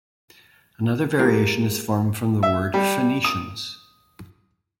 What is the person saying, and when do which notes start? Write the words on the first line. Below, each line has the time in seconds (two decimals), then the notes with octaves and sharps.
Another variation is formed from the word "Phoenicians".
1.19 G#3 A#3 E4 G4
2.43 E5
2.74 G3
3.25 D#6